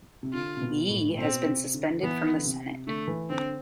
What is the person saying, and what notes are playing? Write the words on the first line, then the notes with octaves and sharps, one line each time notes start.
Yee has been suspended from the senate.
C3
D3 F4
C3
B2
A2
A2
B2 C4
C3
D3
D3
E3 B3
D3
C3
D3 A3
E3
D3 C4